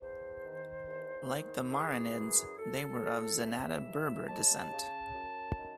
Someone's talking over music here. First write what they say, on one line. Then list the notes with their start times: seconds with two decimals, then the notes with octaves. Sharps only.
Like the Marinids, they were of Zenata Berber descent.
0.01 E2 C5
0.45 D#3
0.87 E2
1.30 D#3
1.72 E3 G#4
2.16 F#2
2.58 F#2 A4
3.01 C#3
3.43 E3 E5
3.86 D#2
4.29 D#2 A5
4.72 C#3
5.14 F#2
5.57 D#3